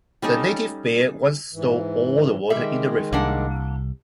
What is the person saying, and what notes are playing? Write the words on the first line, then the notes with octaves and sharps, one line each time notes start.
The native bear once stole all the water in the river.
G3 C#4 D#4 A4
G#2 E3
D#3 G3 G#3 E5
C2 A#3 D4 F#5